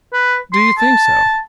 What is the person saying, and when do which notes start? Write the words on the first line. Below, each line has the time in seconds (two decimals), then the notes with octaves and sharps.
"Do you think so?"
0.13 B4
0.53 C6
0.78 A5